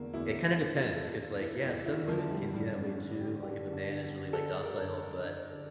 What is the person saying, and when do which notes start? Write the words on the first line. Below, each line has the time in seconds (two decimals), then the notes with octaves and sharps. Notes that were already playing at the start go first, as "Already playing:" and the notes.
it kinda depends 'cause, like, yeah, some women can be that way too, like, if a man is really, like, docile, but
Already playing: E2 D3 A3 A#3
0.13 E2 E4
0.44 E2 E4
0.74 E2 F4
0.96 A4
1.03 E2
1.19 D4
1.34 E2
1.41 E4
1.63 E2 E4
1.86 E4
1.94 D3
2.08 F3
2.23 E2
2.31 G3
2.54 G2 G3
2.76 C#4
2.83 D3
2.98 D4
3.13 D3
3.21 G4
3.43 D3 G4
3.73 D3
4.03 D3
4.33 D3 A4
4.63 D3 A#4
4.93 D3
5.23 D3 D5
5.53 D3